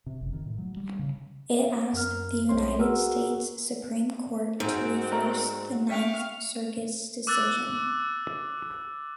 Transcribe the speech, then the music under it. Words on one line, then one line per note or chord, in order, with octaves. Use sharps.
It asked the United States Supreme Court to reverse the Ninth Circuit's decision.
C3
F#1
D#3
A2
F#3
G3
C#3
F#2 A#4 F6
B1 G#3 C4 C5 C#5 C6
F#4 G#4 A#4 B4 F#5 E6
G#2 C4 F#4
A#4 D5 A#5
C#4 E5 F5 G5 C#6
D6 E6 F#6 A6